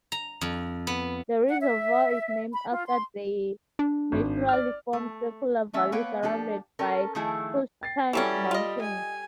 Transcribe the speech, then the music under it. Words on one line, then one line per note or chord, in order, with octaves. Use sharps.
The reservoir is named after the naturally formed circular valley surrounded by Cushetunk Mountain.
A#5
F2
B3
F#5
E5
B5
F4
C6
D4
G#1
D5 F6
A3
E3 A3 C#4 E5
A#3 B3 B4 C#5 F5 G5
F3 D4 G4 A4
C#4 A4 A#4
D#3 F3 A3 E4 G#4
G5 A6 C7
E3 F#3 G3 C#4 G4 A4 G5
F4 D#5
G#5